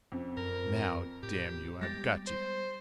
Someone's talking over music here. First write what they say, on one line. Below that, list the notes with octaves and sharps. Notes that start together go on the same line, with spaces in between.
"Now, damn you, I've got you!"
F2 C#4
F#2 A#4
A2 G4
G3 G#3 B3 G4 A6 A#6
C5